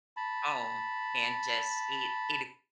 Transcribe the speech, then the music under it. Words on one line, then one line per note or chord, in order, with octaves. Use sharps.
home and just eat eat a
A5 B5